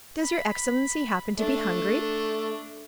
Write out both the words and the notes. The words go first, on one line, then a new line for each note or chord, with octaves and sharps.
"Does your excellency happen to be hungry?"
B5
A3 D4